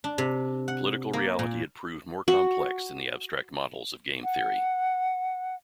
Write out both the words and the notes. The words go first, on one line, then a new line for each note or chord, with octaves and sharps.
Political reality had proved more complex than the abstract models of game theory.
D4
C3
F#5
A#3
A#2
F#4
F#5